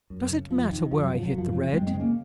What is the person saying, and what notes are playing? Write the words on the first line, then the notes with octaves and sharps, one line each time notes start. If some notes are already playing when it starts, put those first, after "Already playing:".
"Does it matter where I hit the red?"
F#2
C#3
F2 F3
C3 D#3
F#2 F3
F#3
C#3 F3
F#3
F#2
F3
C#3
F#2 G#3 C4
G#3 C4
C#3
A#3 C#4